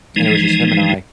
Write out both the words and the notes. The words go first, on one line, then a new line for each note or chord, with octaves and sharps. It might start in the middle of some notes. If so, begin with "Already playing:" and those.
and it was just him and I,
E3 F3 G#3 D#4